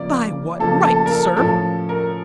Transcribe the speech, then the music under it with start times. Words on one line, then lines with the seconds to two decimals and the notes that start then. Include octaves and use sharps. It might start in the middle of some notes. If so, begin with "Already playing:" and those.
"By what right, sir?"
Already playing: C#3 F3 A#3 D5
0.59 C#3 F3 A#3 A4
0.85 A4
1.06 A#4
1.11 A4
1.37 A2 F3 C#4 A4
1.89 A#4